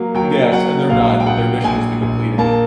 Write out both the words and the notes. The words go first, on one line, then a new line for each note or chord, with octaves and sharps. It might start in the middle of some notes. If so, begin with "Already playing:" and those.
yes, and they're done, their mission has been completed.
Already playing: F#3 A#3
F#3 G5
F#3 F#5
A#1 F5
G5
A#1 F#5
A#1 G#5
A#1
A#3 A5